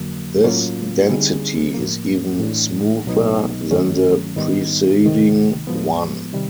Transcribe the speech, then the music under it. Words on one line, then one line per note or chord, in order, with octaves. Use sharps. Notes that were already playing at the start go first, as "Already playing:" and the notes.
This density is even smoother than the preceding one.
Already playing: F2 D3 F#3 A#3
A2 F#3 A#3 C#4 F4
D3 G3 C4 D#4 G#4
A2 F3 A#3
A2 E3 A3 D4
C2 B2 F#3 B3 D#4
G2 D#3 F#3 A3 C#4
G#2 D#3 G3 B3 D#4
C#2 C3 D#3
A2 F3 G#3 B3
C3 D#3 G3